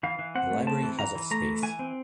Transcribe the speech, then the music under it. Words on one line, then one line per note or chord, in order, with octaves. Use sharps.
The library has of space.
E3 F5
E3
C4 F#5
A3
C4 A5
E3
E3 A#5
E3
A3 A#5
E3
E3 G#5
C4